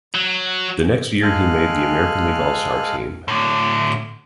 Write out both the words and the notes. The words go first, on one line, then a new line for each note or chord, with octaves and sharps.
The next year he made the American League All-Star team.
F#3
G#3 A4 F5 G#5 F6 F#6
A2 D3